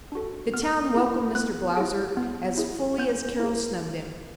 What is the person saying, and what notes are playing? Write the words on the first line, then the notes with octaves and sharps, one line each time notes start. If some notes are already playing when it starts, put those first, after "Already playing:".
The town welcomed Mr. Blausser as fully as Carol snubbed him.
D4 F#4 A4
B3 F6
E4 G#4
B3 F#6
E4 G#4
B3
E4 G#4
B3 G6
E4 G#4